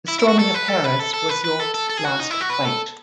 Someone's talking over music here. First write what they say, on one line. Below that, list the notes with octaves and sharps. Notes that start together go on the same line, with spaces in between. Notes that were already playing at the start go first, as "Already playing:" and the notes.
The storming of Paris was Yorck's last fight.
E4
E4
F#4
A4
B4
A4
B4
A4
A4
B4
B4
A4
A4
A4
G#4
F#4
D#4
E4
F#4
B4
A4